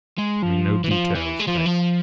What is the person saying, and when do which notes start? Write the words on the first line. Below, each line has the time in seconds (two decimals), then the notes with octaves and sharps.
Only no details, pray.
0.18 G#3
0.42 F3
0.84 E3
0.91 F3
1.15 E3
1.40 G#3
1.48 F3
1.57 E3
1.66 F3